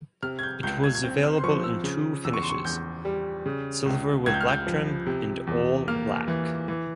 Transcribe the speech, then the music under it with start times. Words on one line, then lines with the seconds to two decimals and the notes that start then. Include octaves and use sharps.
It was available in two finishes; silver with black trim and all black.
0.22 C3 F6
0.39 G#6
0.43 G6
0.63 C#2 G6
0.84 G#6
0.95 G#6
1.04 C4 G6
1.24 F6
1.38 C6
1.44 F3 C#6
1.64 E6
1.84 C#3
2.25 E2 E6
2.34 C#6
2.42 C6
2.50 C#6
2.65 E2 G6
3.05 G3
3.46 C#3
3.86 C#2
4.26 C#2 G#6
4.34 G6
4.41 F6
4.48 G6
4.67 F3
5.06 C3
5.47 E2
5.88 A#3 F6
6.28 E3
6.68 E3